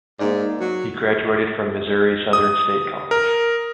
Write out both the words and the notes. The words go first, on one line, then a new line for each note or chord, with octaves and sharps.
He graduated from Missouri Southern State College.
G#2 A#3 D#4 D5
F#3
D#6
A#4